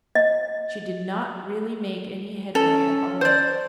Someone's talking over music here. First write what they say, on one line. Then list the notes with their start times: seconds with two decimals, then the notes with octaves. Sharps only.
She did not really make any headway at all.
0.15 D#5
2.55 C#4 A4
3.21 C5 D5